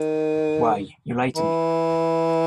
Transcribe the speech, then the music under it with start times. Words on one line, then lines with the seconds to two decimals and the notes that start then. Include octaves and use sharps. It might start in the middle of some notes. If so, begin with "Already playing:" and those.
Why, you lied to me.
Already playing: D#3
1.36 E3